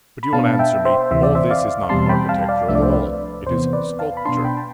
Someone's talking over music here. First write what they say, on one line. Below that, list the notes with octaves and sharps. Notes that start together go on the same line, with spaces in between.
But you will answer me, all this is not architecture at all--it is sculpture.
B5
B2 B3 D4 F5 A5
E5 G5
C5 E5
D2 C3 E3 E5
D5
C5 E5
D5 F5
E2 B2 G3 C4 A5 C6
G5 B5
F5 A5
D5 F5
C2 C3 F3 A3 D4 E5
D5
C5
B4 D5
E2 C3 E3 B3 C5
B4 D5
F5 A5
B5
B2 B3 D4 A5 C6
G5 B5
A5